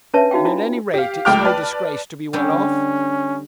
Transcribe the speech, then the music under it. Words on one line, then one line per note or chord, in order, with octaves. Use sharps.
'And at any rate, it is no disgrace to be well off.'
C#4 D4 B4 C#5 E5 A5
D#4 F#4 F5 G5
D4 E4 F4
G4 F5
C#2 A3 G5 D6 F6
B4 D5 A5
D3 G3 C#4